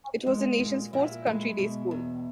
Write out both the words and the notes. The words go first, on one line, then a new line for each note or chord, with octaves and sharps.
It was the nation's fourth country day school.
G#3
A#2
A#2 E4
G#3
B2
E2